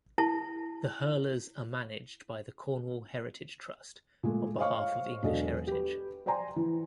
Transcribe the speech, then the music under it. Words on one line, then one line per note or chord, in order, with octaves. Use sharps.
The Hurlers are managed by the Cornwall Heritage Trust on behalf of English Heritage.
E4 A5
A#2 G#3 A3
C5 C#5 D#5 F5 C#6
E1 F#3 D4 A4 D#5
G4 B4
C5 D5 G5 G#5 A#5 C6
E3